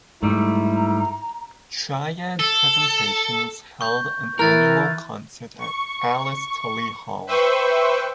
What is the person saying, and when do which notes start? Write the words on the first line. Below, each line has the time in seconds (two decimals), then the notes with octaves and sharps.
Triad Presentations held an annual concert at Alice Tully Hall.
0.23 G#2 G3 A3 E4 A#5
2.39 A4
3.81 C#6 G6
4.39 E3 E4 A#4 F6 F#6 A6
5.59 C#6
7.27 B4 C5 E5 G5 C#6